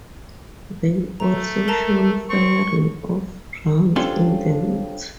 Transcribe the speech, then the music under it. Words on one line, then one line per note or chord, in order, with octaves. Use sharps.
They're also shown firing off rounds in the woods.
A3 A#5
A#4 A5 A#5
C4 C#6
C#4 D4 F4 G4 A4 C5